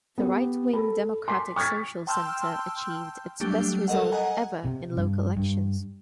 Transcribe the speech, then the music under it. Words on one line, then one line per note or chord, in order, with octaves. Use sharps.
The right-wing Democratic Social Center achieved its best result ever in local elections.
B3 G4
A4 B5
C6 D6 B6
C#6 F6 G#6 A6 B6
G5 A5 C6 E6 F6 G6
F#3 G3 A3 D4 G4
A4 A#4 D#5 F#5
D#5 F#5 G#5 A#5
C3
G2
G2